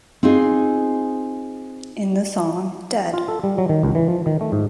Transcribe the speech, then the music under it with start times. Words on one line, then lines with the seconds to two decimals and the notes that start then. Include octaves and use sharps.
In the song ""Dead!
0.23 C4 D#4 F4 G#4
3.14 F4
3.28 A4
3.43 G3
3.58 F#3
3.69 D#3
3.83 C#2
3.95 E3
4.08 F3
4.26 D#3
4.41 A3
4.52 G#2